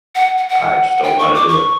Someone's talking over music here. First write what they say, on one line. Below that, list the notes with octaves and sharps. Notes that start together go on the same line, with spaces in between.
I just don't wanna do it.
F#5
F#5
F#5
G5
C#6
D6
C#6